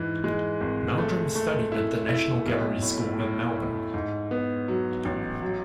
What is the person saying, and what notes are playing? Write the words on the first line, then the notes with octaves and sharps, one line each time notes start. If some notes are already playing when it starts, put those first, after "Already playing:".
Meldrum studied at the National Gallery School in Melbourne.
Already playing: G#2 E3
G#3
G#1
A3
A3
E4
E4
B1
A2
A2
A2
G#2
B3
F#3
A1
F#3